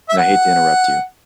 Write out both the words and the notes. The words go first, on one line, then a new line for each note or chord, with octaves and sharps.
and I hate to interrupt you.
E5
F#5